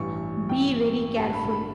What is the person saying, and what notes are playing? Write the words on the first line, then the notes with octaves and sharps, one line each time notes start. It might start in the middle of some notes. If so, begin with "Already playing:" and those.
Be very careful.
Already playing: A1 G2 E3 C#6
G5
A1 G2 D3 A5
B5
B5